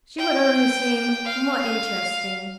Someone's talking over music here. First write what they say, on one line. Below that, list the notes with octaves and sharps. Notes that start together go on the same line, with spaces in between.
"She would only seem more interesting."
G5
F5